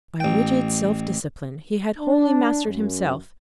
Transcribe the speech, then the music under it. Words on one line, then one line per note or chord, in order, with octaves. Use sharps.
By rigid self-discipline, he had wholly mastered himself.
A1 G5
D4
F#2